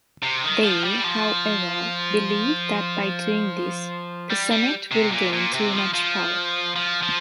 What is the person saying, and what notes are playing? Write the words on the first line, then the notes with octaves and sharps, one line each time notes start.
They, however, believe that by doing this, the Senate will gain too much power.
C3
D#3
F3
G3
F3
G3
G3
C3
A#2
A#2
C3
F3
F3
F3
F3